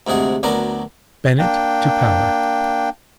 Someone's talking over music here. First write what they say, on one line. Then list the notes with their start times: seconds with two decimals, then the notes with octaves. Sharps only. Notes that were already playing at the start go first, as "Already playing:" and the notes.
Bennett to power.
0.07 D2 G#2 C3 G#4 F#5
0.43 D2 F#3 B3 D4 A#4
1.39 A#3 D4 G5